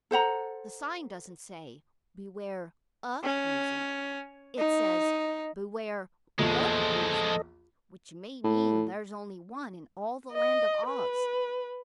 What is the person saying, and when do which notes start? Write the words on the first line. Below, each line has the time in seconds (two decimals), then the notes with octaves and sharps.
"The sign doesn't say: 'Beware a Woozy'; it says: 'Beware the Woozy,' which may mean there's only one in all the Land of Oz."
0.11 A4 C5 F#5 A#5
3.23 C#4
4.58 D#4
6.39 A#1 E2 F3 G#3 A4 D#5 C#6
8.44 A2
10.33 D#5
10.87 B4